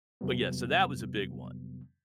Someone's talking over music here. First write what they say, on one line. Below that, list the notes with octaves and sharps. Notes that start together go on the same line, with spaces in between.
but yeah, so that was a big one.
F2 C3 F#3 G3 B3